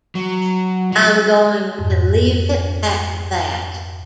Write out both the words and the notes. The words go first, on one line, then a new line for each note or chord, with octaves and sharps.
I'm going to leave it at that.
F#3
F#3 A3
F2 G#2